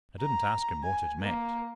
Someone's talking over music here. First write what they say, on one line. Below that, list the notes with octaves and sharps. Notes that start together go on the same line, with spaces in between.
I didn't ask him what it meant.
A#5
G#5
A#3